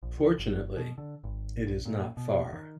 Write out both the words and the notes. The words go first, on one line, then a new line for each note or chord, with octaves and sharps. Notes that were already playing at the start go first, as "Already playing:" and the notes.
Fortunately it is not far.
A#1
C#2
G1
B2
D3
G#1
A#1
A#2
B2
D#3